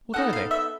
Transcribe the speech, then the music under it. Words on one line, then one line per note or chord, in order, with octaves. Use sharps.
"What are they?"
B3 D#4 F#4 A4 F#5
F5
E5